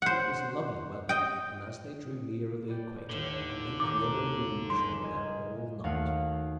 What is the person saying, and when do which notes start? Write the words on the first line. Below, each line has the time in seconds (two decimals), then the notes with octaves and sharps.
It was lovely weather, and as they drew near the equator a great yellow moon shone on them all night.
0.02 C5 F#5
1.09 D#5 G5
2.68 B3 D5 G5
3.09 D#2 A2 D3
3.80 D#2 A2 A#5 D6
4.70 G1 C#2 C6
5.02 A#4 D#5 G#5
5.84 D#2 A3 F#4 F5 F#5